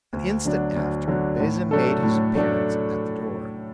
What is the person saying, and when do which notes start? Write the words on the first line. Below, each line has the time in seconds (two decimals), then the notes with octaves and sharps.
An instant after, Bazin made his appearance at the door.
0.13 D2
0.45 D3 F#3 D4
0.76 D2
1.08 D3 F#3 D4
1.40 A2
1.71 F#3 A3 D4 A4
2.03 A2
2.35 F#3 A3 D4 A4